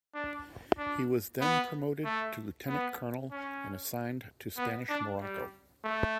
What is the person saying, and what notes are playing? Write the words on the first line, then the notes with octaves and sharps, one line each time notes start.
He was then promoted to lieutenant colonel and assigned to Spanish Morocco.
D4
D4
B3
A3
B3
C#4
B3
D4
G3
A3